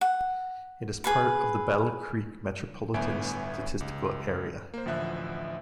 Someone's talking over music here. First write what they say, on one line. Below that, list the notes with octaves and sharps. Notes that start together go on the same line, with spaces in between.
It is part of the Battle Creek Metropolitan Statistical Area.
F#5
G#4 B4 B5
G1 A2 B3 E5 G#5 D7
C#2
A#3 C5
A1 D2 F3 E5 F#6